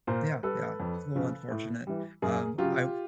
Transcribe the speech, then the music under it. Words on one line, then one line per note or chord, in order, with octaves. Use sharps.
Yeah, yeah, it's a little unfortunate, um, I
A#2 A#4 C5
G3 A4 B4
F2
C#3 F3
A2
E3 G3
F#2 G#4 A#4
C#3 F#3 F4 G4